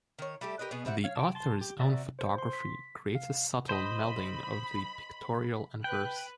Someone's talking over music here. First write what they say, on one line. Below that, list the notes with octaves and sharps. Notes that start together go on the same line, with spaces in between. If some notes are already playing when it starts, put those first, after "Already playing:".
The author's own photography creates a subtle melding of the pictorial and verse.
D#3 C#5
G3 A3 G4 A4
G4 A#4 B4 D#5
B2 B3 G#4 D#5
G3 C4 E5 F#5
C#5 F5
G5 A5
A5 C6
G4
C4 F#4 D5 E5 A#5
C5
C6
B6
F5
C5 D#5 B5
B4 G5 B5 F#6